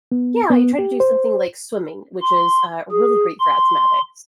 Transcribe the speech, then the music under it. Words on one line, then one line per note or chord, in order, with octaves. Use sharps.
Yeah, I try to do something like swimming, which is, uh, really great for asthmatics.
B3
B3
G4
C5
C6
G#4
C6